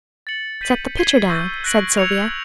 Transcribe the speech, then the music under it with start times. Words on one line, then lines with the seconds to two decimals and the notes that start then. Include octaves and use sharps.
"Set the pitcher down," said Sylvia.
0.27 A6 C#7 F#7
0.61 G6 B6 D#7 F#7
0.96 G#6 C7 D#7 G7
1.30 C#6 E6 G6
1.64 F#6 A#6 D7 F#7
1.97 E6 G#6 C#7 F7